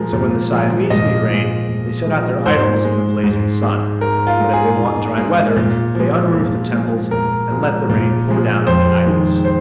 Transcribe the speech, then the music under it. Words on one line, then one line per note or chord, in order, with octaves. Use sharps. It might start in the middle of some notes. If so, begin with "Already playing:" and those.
So when the Siamese need rain, they set out their idols in the blazing sun; but if they want dry weather, they unroof the temples and let the rain pour down on the idols.
Already playing: A#2 F3 G#3 A#4
A#2
F3 G#3
A#2 D#5
F3 G#3
A#2
F3 G#3
G#2 C5
G#3
G#2
G#3
G#2 A#4
F4
G#3
G#4
G#2
G#3
A#2
F3 G#3
A#2
F3 G#3
A#2 A#4
F3 G#3
A#2
F3 G#3
F2 C5
D#3 G#3
C5